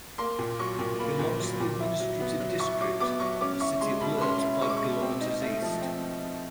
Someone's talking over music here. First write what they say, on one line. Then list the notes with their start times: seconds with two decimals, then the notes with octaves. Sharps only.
It belongs to the administrative district of the city of Lehrte, five kilometres east.
0.18 A#3 C6
0.39 A#2
0.59 F#3 C#6
0.79 A#2
0.99 A#3 B5
1.19 A#2
1.39 F#3
1.60 A#2
1.80 E4
2.00 F#3
2.20 B3
2.40 F#3
2.60 E4 C#6
2.81 F#3 D6
3.00 B3 D6
3.20 F#3 C#6
3.41 C#4 D6
3.60 E4 C#6
3.81 G#3 C6
4.01 B2 B5
4.21 C#4 C6
4.41 E4
4.61 G#3 C#6
4.69 D6
4.77 B2 C#6
5.02 C4
5.21 D#4
5.42 A3
5.62 F3
5.82 C4